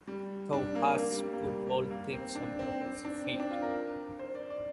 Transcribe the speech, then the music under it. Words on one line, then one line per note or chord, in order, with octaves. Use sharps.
Thou hast put all things under his feet.
G3
D4
A#3
A#3
G3
G3
A#3
G3
G3
G3
A#3
C4
D4
C4
C4
D4
C4
D4
F4
A#4
C5
D5
D5